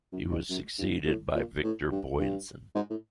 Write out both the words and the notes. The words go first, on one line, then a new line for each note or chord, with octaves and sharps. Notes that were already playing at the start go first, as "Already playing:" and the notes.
He was succeeded by Victor Boysen.
F#2
F2
F#2
G2
A2
A#2
A2
G2
G2
G#2
A2